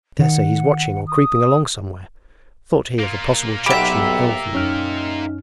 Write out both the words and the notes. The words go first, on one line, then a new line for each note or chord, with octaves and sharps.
'I daresay he's watching or creeping along somewhere,' thought he of a possible Chechen hillsman.
D#3 F#5
D#6
A#3 F4
B1 G4 E5 F#5 B5
F#2 C#4 D#4 F6